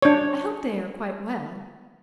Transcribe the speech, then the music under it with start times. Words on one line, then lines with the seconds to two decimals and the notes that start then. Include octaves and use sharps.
I hope they are quite well.
0.02 D4 C#5